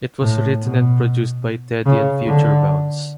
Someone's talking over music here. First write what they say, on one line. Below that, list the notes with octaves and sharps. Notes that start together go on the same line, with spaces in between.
It was written and produced by Teddy and Future Bounce.
A2
B2
C#3
D3